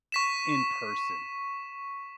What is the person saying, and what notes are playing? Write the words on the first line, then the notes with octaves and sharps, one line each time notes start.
in person?
C#6 B6 E7